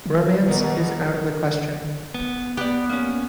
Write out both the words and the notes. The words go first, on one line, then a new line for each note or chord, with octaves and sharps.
Romance is out of the question.
D#3
B2 A#3 B3
B3
B3 G4 D5
A#3 C#4